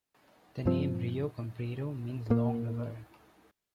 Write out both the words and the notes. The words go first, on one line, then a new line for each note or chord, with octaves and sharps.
The name "Rio Comprido" means Long River.
G2 F3 C4
A#2 A#3